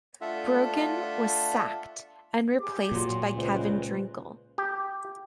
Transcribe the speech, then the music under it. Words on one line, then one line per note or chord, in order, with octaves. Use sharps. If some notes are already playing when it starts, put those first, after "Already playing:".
Brogan was sacked and replaced by Kevin Drinkell.
A3 D4 F4 A4 E5 F#5
G4 G#4 D6
A#2 F#3 C6
C#2 B4 C5
G4